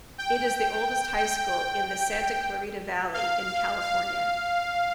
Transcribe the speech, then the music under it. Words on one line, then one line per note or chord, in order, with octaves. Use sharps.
It is the oldest high school in the Santa Clarita Valley in California.
G5
G5
G5
F5
F5
F5